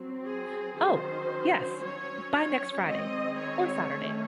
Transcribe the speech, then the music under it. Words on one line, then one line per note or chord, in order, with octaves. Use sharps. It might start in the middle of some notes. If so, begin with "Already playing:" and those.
Oh yes, by next Friday or Saturday.
Already playing: F#3 C4
G#4
D#3 F#3 C#4 C5
F#3 C#4 C#5
C#5
D#3 G#3 C4 D#5
C#5
D#3 A3 C#4